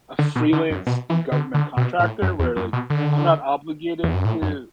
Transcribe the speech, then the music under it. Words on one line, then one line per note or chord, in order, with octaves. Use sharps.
a freelance government contractor where, like, I'm not obligated to
D3
B2
D3
F#2
B2
E3
D3
D3
B2
A2
F#2
E2
F#2
B2
D3
E2
F#2
A2
F#2